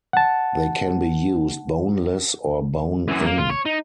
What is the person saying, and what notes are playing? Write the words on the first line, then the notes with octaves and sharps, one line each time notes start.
They can be used boneless or bone-in.
F#5 A5
F#2 E3
A#3
F4
C#5
D#4